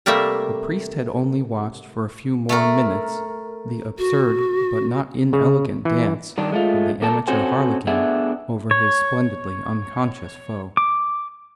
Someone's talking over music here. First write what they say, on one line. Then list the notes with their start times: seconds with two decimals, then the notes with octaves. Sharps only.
The priest had only watched for a few more minutes the absurd but not inelegant dance of the amateur harlequin over his splendidly unconscious foe.
0.06 C3 G3 A3 A#3 E5
2.49 A3 A4 A#4
3.98 F#4
5.33 C#3
5.85 E3
6.38 G2 D#3 D4
6.52 G#3 A3 F4
7.02 A#3 A4 A#4 A5
7.28 C4 C#4 F#4 A4 C5 G#5
7.87 A3 B3 D4 G#4 E5 F#5
8.71 C#5
10.77 D6